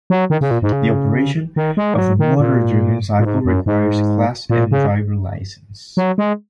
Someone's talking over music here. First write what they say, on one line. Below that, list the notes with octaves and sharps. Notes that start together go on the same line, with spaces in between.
The operation of a motor-driven cycle requires a class M driver license.
F#3
D#3
C#3
A#2
G#2
C#3
D#3
G#3
D#3
F#3
D#3
A#2
A#2
G#2
F#2
G#2
A#2
C#3
F#3
G#3